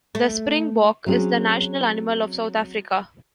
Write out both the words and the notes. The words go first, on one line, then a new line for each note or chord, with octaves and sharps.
The springbok is the national animal of South Africa.
A3
F#3 C4 C#4 G#4